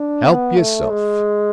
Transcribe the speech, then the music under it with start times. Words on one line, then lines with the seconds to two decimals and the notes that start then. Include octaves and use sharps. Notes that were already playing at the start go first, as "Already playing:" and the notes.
"Help yourself."
Already playing: D4
0.25 B3
0.57 A3
0.90 G#3